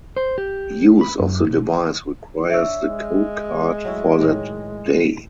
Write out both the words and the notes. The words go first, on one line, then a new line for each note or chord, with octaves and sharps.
Use of the device requires the code card for that day.
C5
G4
B5
F#2
B1
D4 C#5 E5 E6
G#3
F#3 A3 E4
A2 D#3